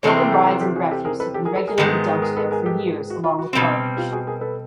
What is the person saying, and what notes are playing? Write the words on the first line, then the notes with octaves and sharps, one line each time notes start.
Broken rides and refuse had been regularly dumped there for years along with garbage.
E2 C3 E3 G3 C4 C#5 D#5
G#4 A#4
G4 A4
G4 A4
G4 A4
F#4 G#4
G4 A4
G#4 A#4
A4 B4
G4 A4
G#4 A#4
A4 B4
G#4 A#4
G#2 D#3 G#3 B3 G4 A4
G#4 A#4
A4 B4
G#4 A#4
G4 A4
F#4
F4
F#4
B2 G3 C4
F4 G4
F#4 G#4
G#4 A#4
A4 B4